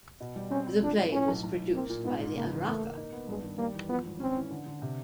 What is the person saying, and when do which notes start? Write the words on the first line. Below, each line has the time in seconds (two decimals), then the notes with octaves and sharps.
The play was produced by The Araca Group.
0.20 B2
0.36 G3
0.50 C4 C#4
0.67 C4
0.82 F3 D4
0.97 A2
1.12 A2 C#4
1.28 B1
1.43 B1
1.59 A2
1.74 A#3 C4
1.90 A#2
2.04 G#2 B3
2.20 G#2
2.36 C#3 A#3
2.51 E2
2.66 A3 A#3
2.81 A#3
2.97 D#4
3.12 B3
3.28 G2 G#3
3.42 D#3
3.58 G3 A#3
3.74 E2
3.89 F3 B3
4.05 G#1
4.20 C4 C#4
4.36 E3
4.50 D3
4.66 D3
4.82 C3